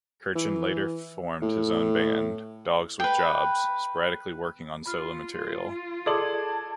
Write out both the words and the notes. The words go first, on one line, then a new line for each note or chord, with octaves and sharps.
Kirchin later formed his own band, Dogs With Jobs, sporadically working on solo material.
E3
A2
B4 G5
F4 B5 F6
G#4 A4 D5 A5 C6 D#6 G#6 F#7